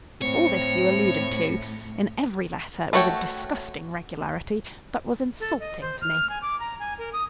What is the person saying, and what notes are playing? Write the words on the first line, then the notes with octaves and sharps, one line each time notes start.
All this you alluded to in every letter with a disgusting regularity that was insulting to me.
A2 C4 C#5 C#7
A3 F#4 C#5 G5
A4
D#5
C5
F6
G#5
D6
A#5
G#5
A#4
D#6